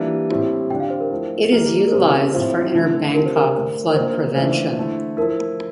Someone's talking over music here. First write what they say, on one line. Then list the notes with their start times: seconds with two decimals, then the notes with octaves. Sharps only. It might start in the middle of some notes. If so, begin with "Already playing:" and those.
It is utilized for inner Bangkok flood prevention.
Already playing: E3 G3 A#3 D4 F4
0.29 A2 G3 C4 E4
0.70 D3 G3 D4 F4 G5
0.80 F5
0.90 C5
1.00 A#4
1.11 F3 A3 E4
1.52 E3 G3 A#3
1.87 A#4
1.92 C3 G3 C4 E4 C5
2.33 A2 F3 C4 F4
2.74 D3 A3 E4
3.14 C3 G3 D4 F4 A#4
3.26 C5
3.36 A#4
3.54 D3 A3 D4
3.90 A#4
3.96 D3 F3 A#3 F4 C5
4.36 E3 A3 D4 F4 C5
4.77 D3 A3 E4
5.17 F3 A3 E4 A#4